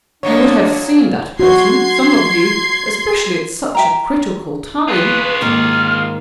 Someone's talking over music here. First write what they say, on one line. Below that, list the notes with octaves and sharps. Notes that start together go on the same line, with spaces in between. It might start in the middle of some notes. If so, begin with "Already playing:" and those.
You would have seen that person, some of you, especially at such a critical time.
A#2 F#3 D4 D#4 C#5
F#4 C6 G#6 C7
E5 G5 A#5
F4 G#4 B4
G#2 D#3 A#3 F6